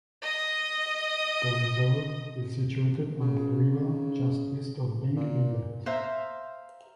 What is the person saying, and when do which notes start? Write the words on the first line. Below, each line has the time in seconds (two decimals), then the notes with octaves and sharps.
The Reserve is situated on the river just east of Byng Inlet.
0.22 D#5 D#6
3.21 C#3
5.16 A#2
5.86 C5 E5 F5 A#5